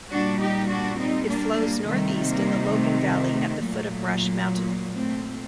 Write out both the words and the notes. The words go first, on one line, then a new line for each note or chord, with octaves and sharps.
It flows northeast in the Logan Valley at the foot of Brush Mountain.
A#2 G3 D4 F#4
D#4 G4
D4 F#4
C4 D#4
A#3 D4
G3 A#3
C3 D#3 G3 A3
G3 A#3
A3
G3
A3
A#2 F#3 A3
A3 C4